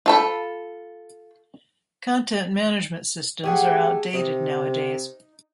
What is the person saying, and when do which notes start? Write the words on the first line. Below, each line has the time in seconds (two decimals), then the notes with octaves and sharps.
Content Management Systems are outdated now-a-days.
0.06 F4 A4 B5
3.44 A3 G4 G#4 F#5
4.14 C3 D#4